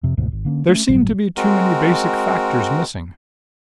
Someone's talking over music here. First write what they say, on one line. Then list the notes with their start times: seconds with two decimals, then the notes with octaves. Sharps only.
There seem to be too many basic factors missing.
0.03 F2 C3
0.17 D#1 D2 G#2 B2
0.32 G#1
0.45 D3 A#3 C#4
0.68 A3 C#4
0.88 G1 A2 F#3 G3
1.37 G#3 C4 F#4 A#4